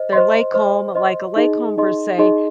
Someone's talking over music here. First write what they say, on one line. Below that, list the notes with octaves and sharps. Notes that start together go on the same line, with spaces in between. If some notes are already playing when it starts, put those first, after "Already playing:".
their lake home like a lake home per se,
Already playing: C5 D#5
C5 D#5 C6
C5 D#5 C6
C5 D#5 C6
D#4 G#4 D#5 C6
D#4 G#4 D#5 C6
D#4 G#4 D#5 C6